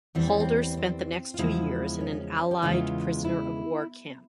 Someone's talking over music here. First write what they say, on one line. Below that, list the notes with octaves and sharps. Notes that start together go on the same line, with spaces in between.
Halder spent the next two years in an Allied prisoner of war camp.
E2 E3 G3 C4
C#4
C4
C4
F4
E2 C#3 F3 G#3 E4
C#4
G4
E2 C#3 E3 G#3 F4
E4